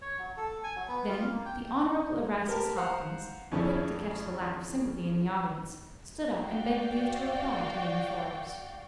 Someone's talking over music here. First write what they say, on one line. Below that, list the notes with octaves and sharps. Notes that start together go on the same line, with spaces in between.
Then the Honorable Erastus Hopkins, quick to catch the lack of sympathy in the audience, stood up and begged leave to reply to young Forbes.
C#5
F#3
A4
G#5
F#3
B3
F4
A#3
G5
G4 A#4 A5
C5 F5 F#5 A#5
F2 C#3 C#4 D4 E4
F#4 D5 F5 G5